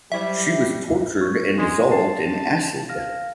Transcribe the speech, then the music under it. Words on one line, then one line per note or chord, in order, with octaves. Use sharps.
She was tortured and dissolved in acid.
F#3 G3 E4 C5 E5
C#6
G#3 C6
A5 C7
F5 F6 A#6